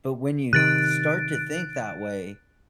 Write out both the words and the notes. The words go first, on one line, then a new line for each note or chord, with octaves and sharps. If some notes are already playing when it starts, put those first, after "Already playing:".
but when you th start to think that way,
C3 D#3 F#6 A6 D7